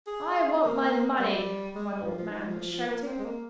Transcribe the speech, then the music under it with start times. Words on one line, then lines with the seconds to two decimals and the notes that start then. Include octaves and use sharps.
"I want my money!" one old man was shouting.
0.07 G#4
0.64 A#3
1.19 G3
1.75 G#3
1.90 G3
2.04 F3
2.18 F3
2.31 D#4
2.41 G3
2.45 F3
2.60 F3
2.73 F3
2.88 A#3
3.06 C4
3.19 G#3
3.25 A#3